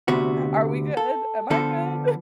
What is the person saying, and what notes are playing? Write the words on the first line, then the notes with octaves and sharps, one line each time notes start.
Are we good? Am I good?"
D2 C3 B3 F#4
A4
D3 F3 B3 A4